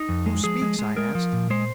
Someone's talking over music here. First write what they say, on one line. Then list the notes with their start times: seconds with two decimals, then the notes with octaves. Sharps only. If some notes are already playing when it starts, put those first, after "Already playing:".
"Who speaks?" I asked.
Already playing: D#4
0.09 F2
0.26 G#3
0.44 F3 G#4
0.62 G#3
0.79 G#3
0.97 G#3 A#4
1.15 F3
1.33 A#2
1.50 G#3 C5